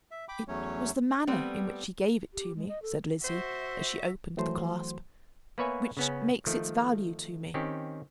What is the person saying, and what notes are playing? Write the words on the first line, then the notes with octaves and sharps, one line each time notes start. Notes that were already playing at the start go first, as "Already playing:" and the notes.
"It was the manner in which he gave it to me," said Lizzie, as she opened the clasp, "which makes its value to me."
E5
G5 B5 D6
E2 F#3 A3 C#4 C#5
G3 A3 B3 C4
G4
G#3
D#5
A4
F#4 C5 E5
E3 F#3 A3 F#4 C5 C6
A#3 B3 B4 C#5 E5 G#5
C#3 B3 C#4
D#3 F3 A3
D#3 C4 C#4 G4